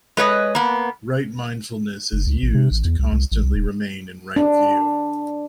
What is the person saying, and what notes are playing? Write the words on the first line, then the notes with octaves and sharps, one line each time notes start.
Right mindfulness is used to constantly remain in right view.
G#3 B4 C#5 D#5
A#3 B3
F#1
C#2
A1
C3
A1
E2
C2
C2
A1
C2
D#1
D4